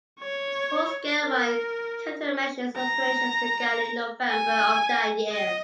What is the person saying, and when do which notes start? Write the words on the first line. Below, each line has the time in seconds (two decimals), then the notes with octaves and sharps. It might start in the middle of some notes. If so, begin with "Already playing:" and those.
Full scale mine countermeasures operations began in November of that year.
0.20 C#5
1.23 A#4
2.76 A#5
4.30 G#5
5.32 D#5